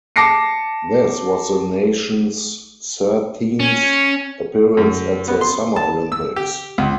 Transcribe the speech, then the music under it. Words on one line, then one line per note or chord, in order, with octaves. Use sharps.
This was the nation's thirteenth appearance at the Summer Olympics.
A5 D6 A#6 C7 C#7
C#4
F#2
B3
C6
A5
E6
G4
C#2